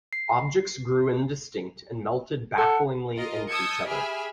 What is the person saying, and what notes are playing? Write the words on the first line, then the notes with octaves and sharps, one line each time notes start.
Objects grew indistinct and melted baffingly into each other.
C7
A4 F#5
F4 A#4 D#5
A5 D#6 E6 G6 G#6 C#7
G4 G#4 E5 G#5 B5 F6